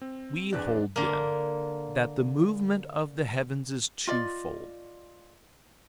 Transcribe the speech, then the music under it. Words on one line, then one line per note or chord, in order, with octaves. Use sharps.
We hold, then, that the movement of the heavens is twofold.
C4
E2 D4 F#6
D3 A#3
F4 D5 D#5